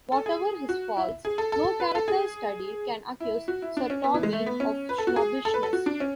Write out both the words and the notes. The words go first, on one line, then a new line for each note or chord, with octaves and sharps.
Whatever his faults, no character study can accuse Sir Toby of snobbishness.
A4
G#4
F#4
E4
G#4
A4
A4
B4
A4
G#4
E4
F#4
E4
D4
C#4
B3
E3
G#3
A3
B3
C#4
B4
A4
F#4
G#4
A4
B4
A4
F#4
D4
C#4